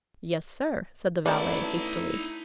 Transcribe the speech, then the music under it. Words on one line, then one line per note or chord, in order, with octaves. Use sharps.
"Yes, sir," said the valet hastily.
A3 B3 C#4 D#4 E4 A4 D5 B5